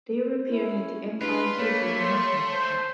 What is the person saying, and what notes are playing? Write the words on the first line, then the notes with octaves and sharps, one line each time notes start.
They were appearing at the Empire Theatre in Nottingham at the time.
C#4 E4
D4 F4 G4 B4
A3 A#3 C#5 B5
C6
C5